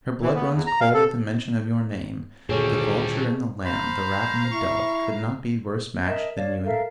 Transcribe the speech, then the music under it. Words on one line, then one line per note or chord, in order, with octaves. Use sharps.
Her blood runs cold at the mention of your name; the vulture and the lamb, the rat and the dove, could not be worse matched than you and she.
E3
B3
E2
A#5
F5
A4
D2 A#2 D#3 G3 C4 G#4 A4 C#5
C5 F5 A#5 B5
E4 C#6
A#4 D#5 E5 A5
C#5 D5 F5 A5
A4 A#4 E5 F5